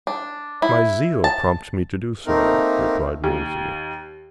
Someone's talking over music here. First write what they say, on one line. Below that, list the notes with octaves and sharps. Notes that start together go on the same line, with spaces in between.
"My zeal prompts me to do so," replied Wolsey.
D4
E4
A5
A3 A#3 C4 D#4 A#4
D#2